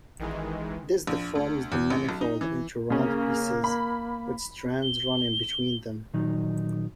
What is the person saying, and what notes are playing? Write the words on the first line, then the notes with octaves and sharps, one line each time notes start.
This deforms the manifold into round pieces with strands running between them.
A1 D#3 E3 G#3
A#1
D2
E2
A1
B1
D#4
E3
C#3 A#3 C#4
B5
G7
A#2 D#3 F#3 D#4